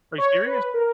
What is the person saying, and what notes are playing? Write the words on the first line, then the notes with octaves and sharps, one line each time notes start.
Are you serious?
C#5
B4
A#4